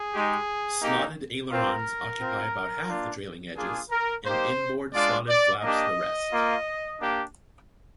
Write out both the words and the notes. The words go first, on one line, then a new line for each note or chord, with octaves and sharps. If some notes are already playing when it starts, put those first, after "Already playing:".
Slotted ailerons occupy about half the trailing edges and inboard slotted flaps the rest.
Already playing: G#4
G#3 D#4 G4
A#3 D#4 G4
C4 F4 A#4
C4 F4
A#3 D4 F4
A#3 D4 F4 G#4
A#4
A#3 D#4 G4 C5
G#3 D4 F4 D5
D5
A#3 D4 G4 D#5
A#3 F4
A#3 D4 G4